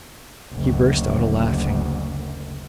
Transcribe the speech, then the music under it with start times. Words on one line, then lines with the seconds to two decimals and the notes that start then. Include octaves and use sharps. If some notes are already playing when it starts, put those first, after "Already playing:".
He burst out a-laughing.
0.54 F#1 D2